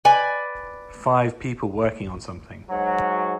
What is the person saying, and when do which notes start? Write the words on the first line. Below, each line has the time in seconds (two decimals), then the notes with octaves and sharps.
Five people working on something.
0.05 B4 D5 G#5
2.69 G#2 F#3